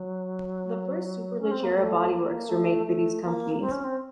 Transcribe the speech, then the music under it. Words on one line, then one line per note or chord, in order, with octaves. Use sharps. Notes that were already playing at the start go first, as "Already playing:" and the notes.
The first superleggera bodyworks were made for these companies.
Already playing: F#3
C#4
C4
A#3
A3
A#3
A3
A#3
A3
A3
A#3
C4
C#4
C4